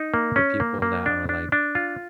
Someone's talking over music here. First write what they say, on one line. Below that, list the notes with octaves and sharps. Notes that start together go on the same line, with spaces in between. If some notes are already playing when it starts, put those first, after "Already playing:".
for people that are, like,
Already playing: D#4
A#3
C#4
A#3
A#3
D4
D4
D4
F4